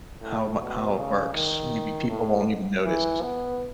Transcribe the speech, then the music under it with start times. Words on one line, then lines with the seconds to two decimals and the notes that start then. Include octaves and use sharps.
how mu how it works, maybe people won't even notice."
0.22 A2
0.59 B2
0.97 C#3
1.34 D#3
2.09 A2
2.85 E3
3.22 B3